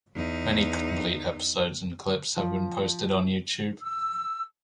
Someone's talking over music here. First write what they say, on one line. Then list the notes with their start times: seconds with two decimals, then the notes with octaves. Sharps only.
Many complete episodes and clips have been posted on YouTube.
0.15 E2 D#4
2.36 F3
3.81 E6